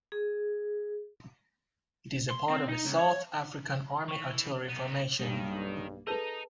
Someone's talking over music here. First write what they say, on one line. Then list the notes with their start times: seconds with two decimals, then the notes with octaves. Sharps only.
It is part of the South African Army Artillery Formation.
0.12 G#4
2.30 C6
2.50 C4
2.69 D#4
2.85 C#2
2.99 C#5
4.08 E3 C#6
4.68 B3 D#4
5.19 B1 G2 D#3 G3 A#3
6.07 G#4 A4 B4 D#5 A5 A#5